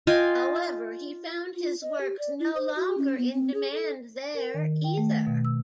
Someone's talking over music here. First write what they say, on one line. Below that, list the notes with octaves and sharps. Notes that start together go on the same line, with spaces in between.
However, he found his works no longer in demand there either.
F4 D#5 G5 G#5
F4
D#5
G4
D5
E4
C5
F#4
C#4
B3
C4
G#4
A4
A#4
D#3
G5
A3
B2
E6